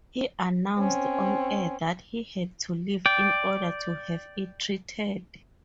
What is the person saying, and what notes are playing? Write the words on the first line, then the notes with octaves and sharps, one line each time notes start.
He announced on-air that he had to leave in order to have it treated.
C4 C#4
D5 G5